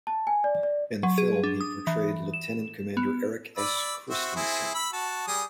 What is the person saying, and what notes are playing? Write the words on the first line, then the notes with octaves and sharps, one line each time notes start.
In the film, he portrayed Lieutenant Commander Erik S. Kristensen.
A5
G#5
D5
D5
F#3
G#4
D4
D#6
E3
E7
B3
D5 B5 E6
C4 F#4 E5
C4 E4 G#4
B5 E6
F#4 A5
G3 G#4 D#6